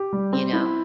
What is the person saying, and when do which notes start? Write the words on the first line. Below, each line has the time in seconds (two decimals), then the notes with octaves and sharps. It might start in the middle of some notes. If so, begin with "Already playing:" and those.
You know?
Already playing: G4
0.13 G3
0.33 C4
0.53 E4